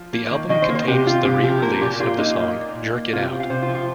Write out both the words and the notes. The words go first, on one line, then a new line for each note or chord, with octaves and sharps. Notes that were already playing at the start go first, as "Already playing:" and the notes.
The album contains the re-release of the song Jerk It Out.
Already playing: F3
A#3
D#3
D#3 D#5
C5
A#3
C5
C3 G4
C4 F4
C3 G4
F3 G4
A#3 A#4
A#2 G4
A#2 F4
A#3 D#4
A#3
A#2
A#2
A#3
C3 F4
G4
C4
F5
C3 C5
F4
F3
F4